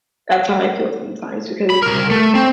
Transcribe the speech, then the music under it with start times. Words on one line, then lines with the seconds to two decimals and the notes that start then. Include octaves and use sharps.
that's how I feel sometimes because
1.70 B5
1.82 C2 A#4
2.11 A3
2.35 C4